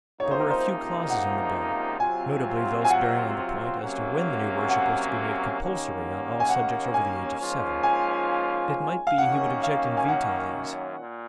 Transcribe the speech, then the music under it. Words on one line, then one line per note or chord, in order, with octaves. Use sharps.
There were a few clauses in the Bill--notably those bearing on the point as to when the new worship was to be made compulsory on all subjects over the age of seven--it might be he would object and veto these.
C#2 C3 F3 A#3 D#4 C#5
C5
A#4
C5
F#5
C3 F#3 C4 F4 G#5
G#5
F#5
C3 F#3 A#3 C#4
F#5
D#2 D#3 A#3 C#4
G#5
F#5
G#5
G#2 F3 A#3 C#4 F4
G#5
F5
F#2 D#3 A#3 C#4 F#5
F5
G#5
F#5
A#2